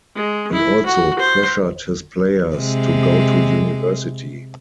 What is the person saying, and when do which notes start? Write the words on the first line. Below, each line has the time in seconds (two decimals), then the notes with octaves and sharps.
He also pressured his players to go to university.
0.15 G#3
0.52 E4
0.86 F#4
1.19 C5
2.55 C3 G#3